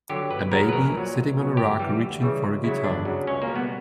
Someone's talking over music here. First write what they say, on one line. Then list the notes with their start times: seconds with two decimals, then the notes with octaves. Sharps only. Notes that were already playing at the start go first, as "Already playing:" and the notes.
A baby sitting on a rug reaching for a guitar.
0.09 D3 F#3 G4
0.30 G1 B4
0.52 F#2 C#3 F#3 A#4
0.69 B4
0.73 A#1 A#4
0.94 A#2 F#3
1.16 C#2
1.37 B2 F#3
1.57 G1 G4
1.79 F#2 E3 G3
2.01 D2
2.21 C#3 E3 G3
2.43 C#2
2.64 C#3 F#3 E4
2.84 G1 D4
3.05 F#2 C#3 F#3
3.27 C#2 C#4
3.42 A#3
3.48 B2 G3
3.56 B3